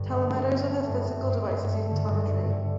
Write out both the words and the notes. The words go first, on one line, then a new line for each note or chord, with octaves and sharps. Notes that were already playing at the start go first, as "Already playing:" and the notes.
Telemeters are the physical devices used in telemetry.
Already playing: G2 D3
A3
C4
C4
A3
G2
G2
C4
G2
A3
D3
G2
G2
D3